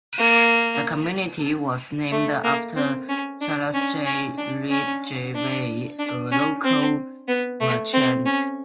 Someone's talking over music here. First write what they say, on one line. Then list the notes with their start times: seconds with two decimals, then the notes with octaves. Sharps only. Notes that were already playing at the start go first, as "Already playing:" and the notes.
The community was named after Charles J. Ridgeway, a local merchant.
0.18 A#3
2.11 A3
2.44 A#3
2.76 C4
3.08 C#4
3.41 D4
3.73 C#4
4.05 C#4
4.37 D4
4.69 C#4
5.34 D4
5.99 D4
6.31 C#4
6.64 C4
7.28 B3
7.60 A3
7.93 C4
8.25 C#4